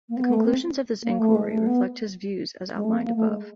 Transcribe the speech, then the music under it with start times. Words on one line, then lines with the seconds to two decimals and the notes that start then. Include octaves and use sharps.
The conclusions of this inquiry reflect his views as outlined above.
0.09 A#3
0.17 C4
0.22 B3
0.33 A3
0.45 C4
1.03 A#3
1.19 A3
1.35 G#3
1.51 A3
1.66 B3
2.76 G#3
2.84 A3
2.92 A#3
3.05 A#3
3.16 A3
3.28 G#3